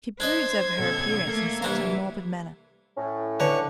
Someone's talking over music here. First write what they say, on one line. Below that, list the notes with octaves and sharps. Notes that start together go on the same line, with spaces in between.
She broods over her appearance in such a morbid manner.
D4 B4 C5 D#5 G#6
B2 C#4 A4
A3 A#3 A4
C2 E3 D4 C5
A2 C#4
D3 B4 C#5